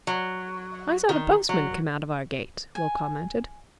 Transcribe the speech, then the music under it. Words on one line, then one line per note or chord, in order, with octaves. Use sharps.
"I saw the postman come out of our gate," Will commented.
F#3
D#3
F#3
G#5